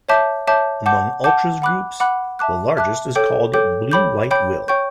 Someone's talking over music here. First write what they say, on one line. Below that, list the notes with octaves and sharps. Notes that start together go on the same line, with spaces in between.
Among ultras groups, the largest is called "Blue White Will".
C#5 E5 A5 D6 G6
C#5 E5 A5 D6 G6
F#5 A5 D6 G6
F#5 A5 D6 G6
F#5 B5 D6 F#6
F#5 B5 D6 F#6
E5 A5 D6 F#6
E5 A5 D6 F#6
A4 C#5 G5 D6 G6
A4 C#5 G5 D6 G6
C#5 G5 B5 D6 G6
C#5 G5 B5 D6 G6
C#5 G5 C#6 G6